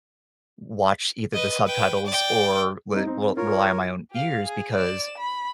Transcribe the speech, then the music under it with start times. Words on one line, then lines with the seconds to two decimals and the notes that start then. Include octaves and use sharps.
watch either the subtitles or re r rely on my own ears because
1.33 B4 D#5
1.66 B4 G5
2.07 D5 G5
2.93 G3 C4 D#4
3.06 C4 D#4
3.37 F4 A#4 C#5
4.11 G4 F5
4.43 G#4
4.75 D5 E7
5.18 B5